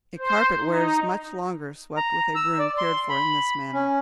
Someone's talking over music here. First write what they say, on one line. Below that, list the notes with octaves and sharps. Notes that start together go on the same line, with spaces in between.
A carpet wears much longer swept with a broom cared for in this manner.
C5
D#4
A#5
E6
D5
C6
B5
C#4